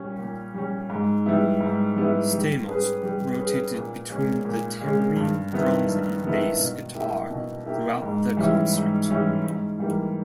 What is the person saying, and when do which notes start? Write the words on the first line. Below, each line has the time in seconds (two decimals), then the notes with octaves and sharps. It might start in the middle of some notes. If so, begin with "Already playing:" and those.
Stamos rotated between the tambourine, drums, and bass guitar throughout the concert.
Already playing: A#2 G3 C#4
0.19 A#2
0.54 G3 C#4
0.90 G#2
1.26 G3 B3 E4
1.60 G#2
1.96 G3 B3 E4
2.33 G3
2.68 C#4 G#4 B4
3.03 G3
3.39 C#4 G#4 B4
3.74 A#2
4.10 G#3 C#4
4.45 A#2
4.82 G#3 C#4
5.16 G2
5.53 D#3 G3 B3 E4
5.89 G2
6.23 D#3 G3 B3 E4
6.59 B2
6.95 A#3 E4 G4
7.30 B2
7.66 A#3 E4 G4
8.02 G#2
8.37 E3 G3 C#4 E4
8.73 G#2
9.08 E3 G3 C#4 E4
9.44 G#2
9.79 E3 G3 A#3